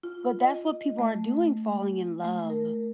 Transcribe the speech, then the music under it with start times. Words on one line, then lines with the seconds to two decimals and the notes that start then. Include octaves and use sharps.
But that's what people are doing falling in love,
0.03 F4
0.43 D#5
0.99 A3
1.68 G#3
2.24 A3
2.50 A#4